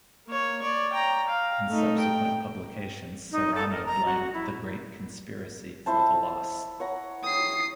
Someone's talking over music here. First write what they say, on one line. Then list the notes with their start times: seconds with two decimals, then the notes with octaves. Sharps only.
In subsequent publications Serrano blamed "the Great Conspiracy" for the loss.
0.27 A#3 C#5
0.62 C#5 D5
0.93 G5 A#5
1.28 F5
1.68 A3 D#4
1.99 G5
3.31 D#4
3.55 A4
3.71 A#4
3.86 A#5
4.05 F#4
4.34 E4
5.86 E4 C5 A5
6.80 C#5 F#5 A#5
7.24 G5 D#6 C7